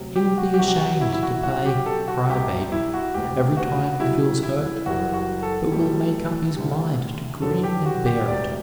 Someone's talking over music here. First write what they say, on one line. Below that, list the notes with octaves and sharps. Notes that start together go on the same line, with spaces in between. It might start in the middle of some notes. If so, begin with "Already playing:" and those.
He will be ashamed to play "cry baby" every time he feels hurt, but will make up his mind to grin and bear it.
Already playing: D2 C3 F#3
G4
F#4
G4
C2 C3 F#3 F#4
F#4
E4
E4
F#4
B1 B2 F#3 F#4
G4
A4
F#4
C2 B2 G3 G4
E4
F#4
E1 D2 C3 G4
F#4
B1 B2 G3 E4
E4
F#1 F#2 E3 G3 F#4
F#4
A4
B1 A2 G3
D2 D3 G3
E2 D3 F#3 A4
G4
F#4
G4
E1 D2 C3 D5